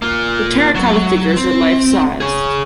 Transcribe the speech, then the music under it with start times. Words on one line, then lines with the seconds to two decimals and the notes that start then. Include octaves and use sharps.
The terracotta figures are life-sized.
0.02 A#3 F4
0.75 F#3
1.37 C4
2.20 G#4 C#5